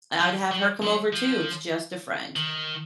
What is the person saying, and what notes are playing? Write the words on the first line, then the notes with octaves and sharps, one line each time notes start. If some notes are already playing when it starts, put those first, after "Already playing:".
I'd have her come over, too, it's just a friend."
F3
F#3
F#3
F3
D#3